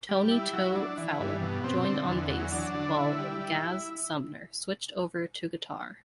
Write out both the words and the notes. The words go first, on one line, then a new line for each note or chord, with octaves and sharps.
Tony "Toe" Fowler joined on bass, while Gaz Sumner switched over to guitar.
G3
E4
F#3
D4
E3
G2
B2
C4
D3
E2
F#3
D4
D3
E4
G3
E4